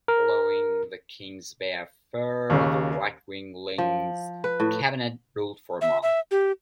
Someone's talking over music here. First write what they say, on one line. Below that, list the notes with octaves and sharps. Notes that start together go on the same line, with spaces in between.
Following the Kings Bay Affair the right-winged Lyng's Cabinet ruled for a month.
A#4
D#2 C#3
F3
B4
A2
E5
E5
G4